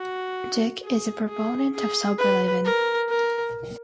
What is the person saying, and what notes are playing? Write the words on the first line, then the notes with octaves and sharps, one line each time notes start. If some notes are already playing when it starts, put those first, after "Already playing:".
Dick is a proponent of sober living.
Already playing: F#4
G#4
G#4
G#4
B4
A#4
A#4